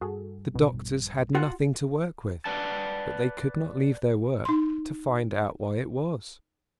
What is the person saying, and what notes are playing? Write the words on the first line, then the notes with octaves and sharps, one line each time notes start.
The doctors had nothing to work with, but they could not leave their work to find out why it was.
G2 F#4 G#4 A4
C2 B2
A#1 G2
F4 F#4 F#5
B4 D5 F#5 A5
D#4 C6